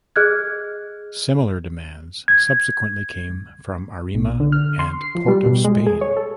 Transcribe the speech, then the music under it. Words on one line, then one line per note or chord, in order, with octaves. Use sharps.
Similar demands subsequently came from Arima and Port of Spain.
G#4 D#5 F6 F#6 G#6
G#6
B1
D3
F6
C6
C7
F3
G3
B2
G#3
G#4
C#5
A4